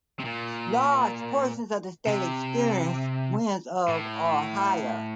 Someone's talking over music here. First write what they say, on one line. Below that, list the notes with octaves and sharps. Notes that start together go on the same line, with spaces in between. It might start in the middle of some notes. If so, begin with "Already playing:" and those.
Large portions of the state experienced winds of or higher.
C3
A#2
C3
A2